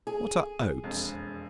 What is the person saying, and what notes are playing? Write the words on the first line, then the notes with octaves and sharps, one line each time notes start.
What are Oats?
G#4
E1 F2